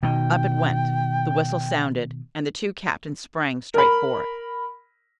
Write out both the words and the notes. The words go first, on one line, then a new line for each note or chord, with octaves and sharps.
Up it went, the whistle sounded and the two captains sprang straight for it.
B2 D#3 G5
A#4 B5